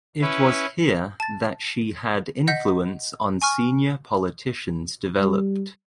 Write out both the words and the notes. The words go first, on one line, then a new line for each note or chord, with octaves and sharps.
It was here that she had influence on senior politicians developed.
C#4 E4 B4
A5 A6
D#5 F#5 G6 B6
G#5 C#6 F6
G3